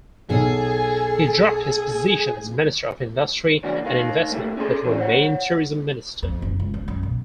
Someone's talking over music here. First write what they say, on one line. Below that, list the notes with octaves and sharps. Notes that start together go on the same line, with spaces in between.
He dropped his position as minister of industry and investment, but remained tourism minister.
B1 G#4 A4
C#3 E3 A#3 C#4 D4 F#4
D2 D#4 A#4 F5
A3 A#3 E4 G4
C#4 G#4 A4 C#5 C6
E3 F#3 C#4 D4 G#4 C#5
C5 C#5 F#5
F2
F#1
C#2
C#2
F#2
B2